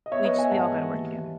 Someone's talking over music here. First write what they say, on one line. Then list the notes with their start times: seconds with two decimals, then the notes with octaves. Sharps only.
We just we all gotta work together.
0.06 D#5
0.12 B3 C#5 E5
0.25 B4 D#5
0.32 B3
0.38 E5 G#5
0.51 G#2 F#5 A5
0.72 E3
0.91 D#2
1.12 D#2